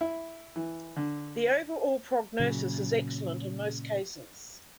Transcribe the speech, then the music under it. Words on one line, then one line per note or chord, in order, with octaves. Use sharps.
The overall prognosis is excellent in most cases.
E4
E3
D3
A#2 C#3 F#3